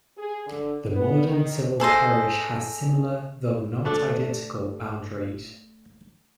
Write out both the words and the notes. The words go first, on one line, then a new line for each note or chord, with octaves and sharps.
The modern civil parish has similar, though not identical, boundaries.
G#4
D3
B3
D#3
G#4 A4 C5 D#5
A3 D4 A4